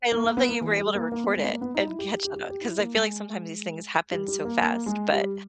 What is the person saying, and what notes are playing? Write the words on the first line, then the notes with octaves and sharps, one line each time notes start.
I love that you were able to record it and catch on 'cause I feel like sometimes these things happen so fast, but,
A#3
A#3
B3
A#3
E3
G3
A#3
A#3
B3
G#3
B3
A#3
B3
D#4
E4
G4
G4
G4
G4
G4
E4
A#3
G#3
G3
G3
A#3
A#3
G#3
G3